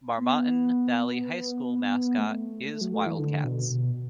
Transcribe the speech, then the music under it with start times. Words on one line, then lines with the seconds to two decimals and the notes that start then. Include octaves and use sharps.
Marmaton Valley High School mascot is Wildcats.
0.17 B3
2.18 A3
2.69 A3
2.81 F#3
2.94 A3
3.06 E3
3.19 D3
3.44 B2
3.70 B2